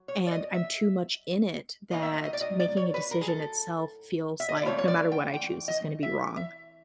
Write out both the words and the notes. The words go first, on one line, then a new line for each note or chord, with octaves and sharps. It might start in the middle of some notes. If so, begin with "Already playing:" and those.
and I'm too much in it that making a decision itself feels like no matter what I choose is gonna be wrong,
Already playing: F#3
C#5
D5
D#5
E5
A2 F#3 A#3 D#4 D#5
E5
D#5
D#5
D5
D#5
D5
C#5
B4
A#4
G#4
A4
E5
D#5
D5
E3 A3 C4 F4 C#5
C#5
D5
G5
G5
D#5
E5
E5